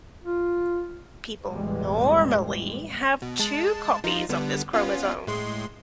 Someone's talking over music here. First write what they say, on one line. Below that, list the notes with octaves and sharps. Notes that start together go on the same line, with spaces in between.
People normally have two copies of this chromosome.
F4
A1 E2 B2 E3 G3 G#3
B2
G#3 A5
F3 D#4 F4
D3 G3 B3
B3 C#4 F4
A2 G#3 C6